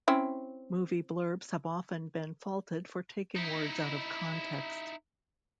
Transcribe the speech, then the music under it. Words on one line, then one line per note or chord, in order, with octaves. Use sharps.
Movie blurbs have often been faulted for taking words out of context.
C4 C#4 E4
D#4 E4